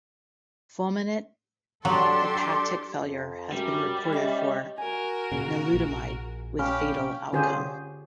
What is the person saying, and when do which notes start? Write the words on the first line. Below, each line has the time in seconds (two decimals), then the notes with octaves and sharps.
Fulminant hepatic failure has been reported for nilutamide, with fatal outcome.
1.85 F#3 D4 G4 A4 C6
3.02 F2
3.52 F#2 G3
4.13 C#4 G4 D#5 E5
4.78 F#4 A#4 G#5
5.32 A#2 C#3
5.74 A#1
6.59 C#4 G4 F5 B5
7.33 D3 C#4 F4 G4 G#4 C5